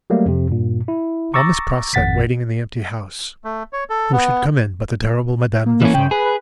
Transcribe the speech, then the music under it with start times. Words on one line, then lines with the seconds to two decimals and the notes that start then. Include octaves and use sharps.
While Miss Pross sat waiting in the empty house, who should come in but the terrible Madame Defarge!
0.10 F#3 G3 A3 A#3
0.26 F2 C3
0.49 G2 A#2
0.88 E4
1.34 A#5 C#6 D6 E6 A6 A#6
1.94 G#1 F2 F#5 A6 B6
3.44 A3
3.73 C#5
3.90 A4
4.12 B3
5.66 A#3
5.82 E3 C#4
5.94 C#3 G5
6.11 G#4 B4
6.25 B4